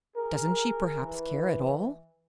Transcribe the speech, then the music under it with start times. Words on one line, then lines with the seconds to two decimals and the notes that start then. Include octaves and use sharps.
Doesn't she perhaps care at all?
0.15 G#4 A#4
1.02 E3